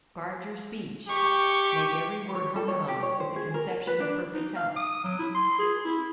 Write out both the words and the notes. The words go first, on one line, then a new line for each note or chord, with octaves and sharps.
Guard your speech; make every word harmonize with the conception of perfect health.
G4 C#6
C#5
A4
C#5
G4
C#5
C5
G#4
A#4
A5
B4
D4
D#4
F5
D#6
F#3
E4
C6
G#4
E4